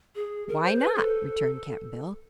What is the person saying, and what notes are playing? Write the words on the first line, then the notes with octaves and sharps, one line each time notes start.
"Why not?" returned Cap'n Bill.
G#4
A#4
C5
B4
A4